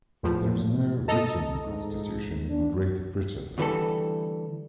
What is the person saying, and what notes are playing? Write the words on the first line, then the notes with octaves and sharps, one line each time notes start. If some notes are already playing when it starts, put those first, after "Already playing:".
There is no written constitution in Great Britain.
E2 A2 F3
A4 D#5 A#5
G#2
D4
D2 E3 G3 A4